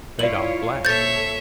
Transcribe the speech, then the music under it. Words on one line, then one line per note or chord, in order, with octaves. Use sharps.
Zadok laughed.
E4 F4 A#4 C#5 D5 F#7
A#2 A4 C5 C#5 E5 G6 A6